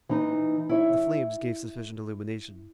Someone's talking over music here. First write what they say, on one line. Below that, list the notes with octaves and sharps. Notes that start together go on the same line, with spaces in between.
The flames gave sufficient illumination.
E3 D#4
E4 C#5 E5